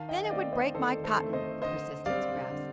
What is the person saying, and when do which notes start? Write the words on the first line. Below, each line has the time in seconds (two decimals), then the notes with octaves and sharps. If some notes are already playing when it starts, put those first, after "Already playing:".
"Then it would break my cotton," persisted Scraps.
Already playing: D#3 F5 A5
0.09 D#5 G5
0.25 D#5
0.30 A3 C4 D5 F5
0.53 C5 D#5
0.74 D#3 A4 C5
1.04 A4 C5
1.18 A3 C4
1.33 C5 D#5
1.62 D3 C5 D#5
2.06 G3 C4 D5 F5
2.50 D3